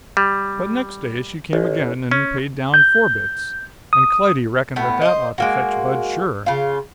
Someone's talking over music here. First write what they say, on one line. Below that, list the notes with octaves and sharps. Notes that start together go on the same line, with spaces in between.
But next day she came again and paid down four bits, and Clytie reckoned that that ought to fetch Bud sure.
G3
A1
C#4
G6
D#6
A2 B3
C5 D#5
G#3 A#3 F#4
C#3 F4